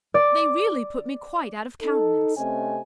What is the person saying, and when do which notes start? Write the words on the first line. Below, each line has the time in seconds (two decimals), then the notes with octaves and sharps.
They really put me quite out of countenance.
0.14 D5
1.82 D#4 A4
2.37 C3 A3 C4 C#4 D#5 G#5